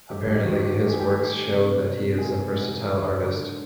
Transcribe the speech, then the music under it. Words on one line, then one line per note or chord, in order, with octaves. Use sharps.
Apparently, his works show that he is a versatile artist.
G2 G4
G4
D#3 F#4
G4
A3 G4
G#4
G4
A3
C3
C3
G#2 G#4
G#2
G#3
D3